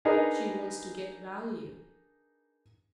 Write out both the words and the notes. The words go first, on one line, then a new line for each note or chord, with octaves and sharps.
She wants to get value....
D4 D#4 G#4 A#4 B4